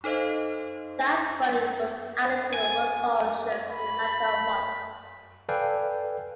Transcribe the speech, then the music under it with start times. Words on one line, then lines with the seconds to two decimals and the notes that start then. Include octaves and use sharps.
That volume was added to the world's oceans in a matter of months.
0.04 D#4 A4 C5 D#5 F5
2.54 G#5
3.72 B5
5.49 A4 B4 D5 F5 G5 G#5